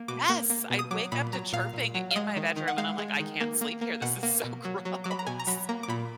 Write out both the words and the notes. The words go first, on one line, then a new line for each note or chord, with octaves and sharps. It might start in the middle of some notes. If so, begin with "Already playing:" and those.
Yes! I'd wake up to chirping in my bedroom, and I'm like, "I can't sleep here. This is so gross."
Already playing: A#3
B2 D6
A#3
A#3
B2
D#6
F#3 D6
A#2 B5
F#3 A#5
A#2 F5
A#2
F#3
F5
G#3 D#5
D#3
D#3
F#5
G#3 F5
G#3
D#3
A#3
A#3
A#3
B2 F#5
A#3
B2
F#3
F#3
F#3 D6
B5
A#5
B2 G#5
A#5
F#3 B5
A#3 A#5
D6
A#2 B5